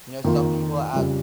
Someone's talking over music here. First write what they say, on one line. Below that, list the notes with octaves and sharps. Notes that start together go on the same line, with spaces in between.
you know, some people add
F2 D#3 A#3 F4
F2 C#3 G3